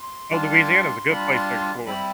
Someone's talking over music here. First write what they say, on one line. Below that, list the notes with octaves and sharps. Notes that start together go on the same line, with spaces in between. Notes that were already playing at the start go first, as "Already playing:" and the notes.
Oh, Louisiana is a good place to explore.
Already playing: C6
G3 D4 F4
G3 D4 F4 B5
C6
G3 C4 E4 B5